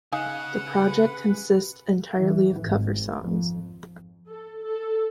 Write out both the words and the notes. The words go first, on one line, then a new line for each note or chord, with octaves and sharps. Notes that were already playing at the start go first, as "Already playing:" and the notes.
The project consists entirely of cover songs.
C#3 D#4 F5 F#5 G#5
G4 G#4 B4
E3
G#1
F2
A4
A4